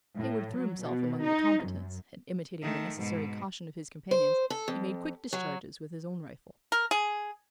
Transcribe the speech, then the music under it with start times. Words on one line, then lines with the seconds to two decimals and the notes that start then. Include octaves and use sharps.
Heyward threw himself among the combatants, and imitating the necessary caution of his companions, he made quick discharges with his own rifle.
0.16 A2
0.55 F#3
0.84 B2
1.24 D#4
1.64 F#2
2.62 D#3 A3
2.97 G#2 B2
4.11 C5
4.50 A4
4.68 F2
5.33 F#3
6.72 A#4
6.91 G#4